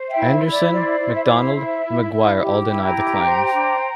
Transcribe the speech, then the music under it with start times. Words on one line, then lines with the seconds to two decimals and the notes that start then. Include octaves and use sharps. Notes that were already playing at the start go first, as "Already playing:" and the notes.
Anderson, McDonald and McGuire all denied the claims.
Already playing: C5
0.08 E5 G5
0.15 E4
0.29 E5
0.44 E4
0.51 D5
0.71 C5 D5
1.00 E4
1.13 E5
1.24 C5 D5
1.34 E5
1.56 E4
1.85 E4
2.13 E4
2.40 G4
2.69 E4
2.82 G5 A#5
2.96 G4
3.25 C5
3.53 D4